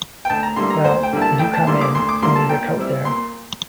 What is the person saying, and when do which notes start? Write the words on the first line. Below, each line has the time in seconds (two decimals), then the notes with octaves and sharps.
Well, do come in, and leave your coat there.
0.25 G5
0.30 D2 A5
0.43 A#5
0.56 D3 G3 A#3 E4 C6
0.70 A#5
0.84 D2 C5
1.03 G5
1.13 D3 G3 A#3 E4
1.22 A5
1.39 D2 G5
1.53 A5
1.67 D3 G3 A#3 E4 C6
1.81 D6
1.95 D2 C6
2.09 D6
2.22 D3 G3 A#3 E4 C6
2.36 A5
2.49 A#2 G5
2.77 G3 C4 E4
3.05 A#2 C6